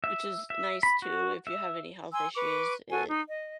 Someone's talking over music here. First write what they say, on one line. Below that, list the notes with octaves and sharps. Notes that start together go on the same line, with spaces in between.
Which is nice, too, if you have any health issues. It
E5
E5
B5
F#4
E5
G#5 C6 E6
B4 C#6 D6
F#4 A4 G#5
D#4
D#5